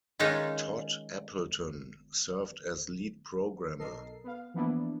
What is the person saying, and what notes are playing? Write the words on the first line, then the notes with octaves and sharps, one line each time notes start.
Todd Appleton served as lead programmer.
D#3 G#3 C#4 D#4 F4
B1 A4 A#4 D#5 C7
B3 F5
E3 F3 A#3 B3 D4 E4